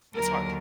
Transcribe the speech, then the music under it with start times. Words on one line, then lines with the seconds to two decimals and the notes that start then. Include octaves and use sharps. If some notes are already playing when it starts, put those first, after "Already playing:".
it's hard.
0.15 D#2 D3 F#3 A#4